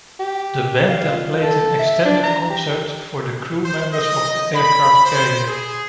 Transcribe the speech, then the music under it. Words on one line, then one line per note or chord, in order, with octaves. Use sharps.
The band then played an extended concert for crew members of the aircraft carrier.
G4
F5
F4
A4
E5
D4
A#5
G4
C5
D#5
B5
C5
G#4